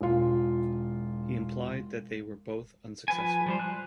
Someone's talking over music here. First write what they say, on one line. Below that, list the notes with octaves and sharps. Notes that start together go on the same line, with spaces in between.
He implied that they were both unsuccessful.
E1 F4
F3 B4 G#5
F3 G3 C5
F#6